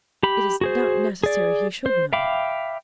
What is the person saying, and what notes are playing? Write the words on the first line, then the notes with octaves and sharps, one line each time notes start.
It is not necessary he should know.
G4 B5
F#4 G#4 C5
G#4 D5
C5
E5 F5 G5 B5 D6